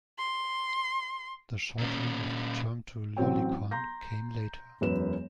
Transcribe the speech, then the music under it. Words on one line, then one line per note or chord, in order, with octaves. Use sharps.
The shortening of the term to "lolicon" came later.
C6
A#2 C#4
A1 F#3 C4 C#5 G5
A#5 C6 G6 A#6
E1 F#2 B4 E7